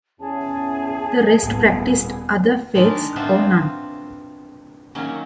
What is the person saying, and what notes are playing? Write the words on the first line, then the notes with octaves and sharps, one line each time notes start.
The rest practised other faiths or none.
E2 C#4 G#4 A5
D#1 B3
D#3 G#3 D4 A#4
B3 C4 D4 F4 F#4 E5
D#3 F#3 A#3 C#4